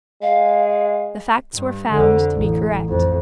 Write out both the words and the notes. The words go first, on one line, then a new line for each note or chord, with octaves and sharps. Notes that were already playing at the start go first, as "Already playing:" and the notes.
The facts were found to be correct.
G#3 F5
G2
F2 D3
A1
F2